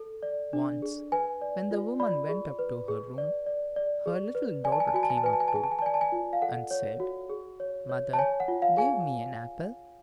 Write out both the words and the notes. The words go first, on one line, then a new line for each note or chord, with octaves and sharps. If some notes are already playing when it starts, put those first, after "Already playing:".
Once, when the woman went up to her room, her little daughter came up too, and said "Mother, give me an apple."
Already playing: A4
D5
D4
G#4
B4 G#5
D5
F4
D5 B5
G#4
B4
G#4
D5
D5
D5
G#4
B4
D5 G#5
A5
G#5
A5
F#4 G#5
A5
G#5
A5
B4 G#5
A5
G#5
A5
G#4 G#5
A5
G#5
A5
D5 G#5
A5
G#5
F4
F5
A4 F#5
C#5
F#4
G#4
C#5
C#5
A5
C#5 G#5
F#5
F4
F5
G#4 G#5